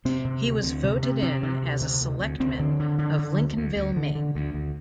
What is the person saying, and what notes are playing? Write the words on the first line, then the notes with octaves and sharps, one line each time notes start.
He was voted in as a selectmen of Lincolnville, Maine.
C3 C4
C3
D2
D2
C3
C3
C3 C4
C3
D2
C3
D2
D2
D2 C4
D3
D3
D3
D3
D2
D2
D2
D3
D3
D2
D2